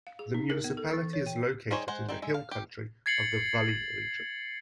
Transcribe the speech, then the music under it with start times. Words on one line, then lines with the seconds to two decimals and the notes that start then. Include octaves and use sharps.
The municipality is located in the hill country of the Vully region.
0.07 F5
0.19 G#4
0.34 D#4
0.50 A#4
0.64 B3
0.77 A4
0.93 E3
1.13 C#5
1.26 G5
1.70 G3 D#4 G#4 C5 C#5
1.88 G#3 C5 F#5
2.09 G3 C4 D#4 G#4
2.22 G#3 E5
2.34 F5
2.51 G4
3.06 G#6 A6 C7 C#7 F#7